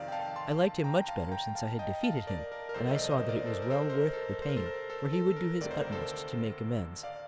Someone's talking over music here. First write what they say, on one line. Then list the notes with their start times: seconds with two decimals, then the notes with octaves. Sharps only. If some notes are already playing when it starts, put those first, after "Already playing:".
I liked him much better since I had defeated him; and I saw that it was well worth the pain, for he would do his utmost to make amends.
Already playing: F2 C3 D#3 D5 F5
0.08 G5
0.12 F5 A5
0.36 A5 C6
0.84 G5 A#5
1.08 F5 A5
1.32 G5 A#5
1.55 F5 A5
1.79 D#5 G5
2.03 F5 A5
2.27 A#4 D5
2.52 A#4
2.69 A#4
2.74 C2 C3 F3 A4 C5
2.88 D#5
2.93 A#4 D5
3.11 C5 D#5
3.29 A#4 D5
3.46 A4 C5
3.62 A#4
3.70 A4 C5
3.90 C5
3.94 A#4
4.13 A4
4.17 A#4
4.42 C5
4.49 A#4
4.56 A4 C5
4.66 A#4
4.90 A4
5.13 A4
5.36 A#4
5.61 D2 C3 D#3 D5
5.71 C5
5.82 A#4
5.92 A4 C5
7.03 D5 F5